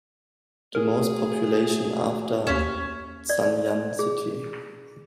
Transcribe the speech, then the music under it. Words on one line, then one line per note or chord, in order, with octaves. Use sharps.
The most population after Zanjan city.
A3 F#4 G#4 A#4
D#2 C#4 B6 E7
D5
G#4